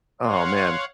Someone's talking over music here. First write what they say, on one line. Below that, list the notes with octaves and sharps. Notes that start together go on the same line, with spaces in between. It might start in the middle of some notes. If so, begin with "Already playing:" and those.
Aw, man.
C#5 F5 F#5 C6